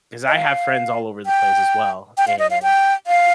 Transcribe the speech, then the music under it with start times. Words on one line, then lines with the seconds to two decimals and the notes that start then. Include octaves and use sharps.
'cause I have friends all over the place as well, and
0.28 D#5
0.35 F5
1.26 G5
2.17 G5
2.28 F5
2.39 D#5
2.51 F5
2.63 G5
3.07 F5